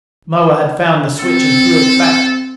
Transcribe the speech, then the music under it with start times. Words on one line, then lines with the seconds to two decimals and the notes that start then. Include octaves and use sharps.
Moa had found the switch and threw it back.
1.20 C4 A4